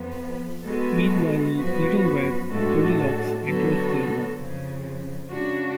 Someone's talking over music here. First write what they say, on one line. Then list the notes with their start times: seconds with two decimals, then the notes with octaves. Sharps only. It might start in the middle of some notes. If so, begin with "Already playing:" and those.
Meanwhile, Little Red Goldilocks enters their home.
Already playing: F2 F3 B3
0.64 G#3 B3 F#4 A4
1.57 F#2 F3 B3 F#4 B4
2.50 A2 G#3 D4 F#4 A4
3.43 D3 F#3 B3 F#4 A4
4.37 F2 C#3 F3
5.30 C#3 G#3 D4 F#4